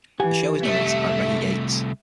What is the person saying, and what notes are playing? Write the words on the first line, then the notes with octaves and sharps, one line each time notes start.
The show is narrated by Reggie Yates.
E3 G4 F#5 G#5
C2 A3 E5